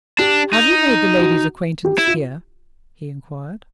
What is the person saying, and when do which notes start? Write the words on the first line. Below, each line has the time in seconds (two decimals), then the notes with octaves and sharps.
"Have you made the lady's acquaintance here?" he inquired.
0.19 D4 G4
0.53 D#4
1.19 F#4
1.85 G4
1.98 E4
2.07 F4